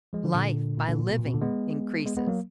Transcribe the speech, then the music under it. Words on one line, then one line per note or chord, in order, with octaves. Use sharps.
Life, by living, increases.
F3 G#3
D3 F3
A#2 D3
A#2
A#2 D3
A#2
B2
A#2
B2
A#2 D3
G#3 B3
G#3 B3
G#3 B3
F#3 A#3